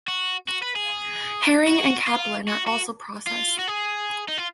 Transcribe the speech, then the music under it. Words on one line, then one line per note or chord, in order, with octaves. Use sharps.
Herring and capelin are also processed.
F#4
F#4
B4
G#4
F#4
F4
F#4
F#4
F4
F#4
G#4
D#4
F4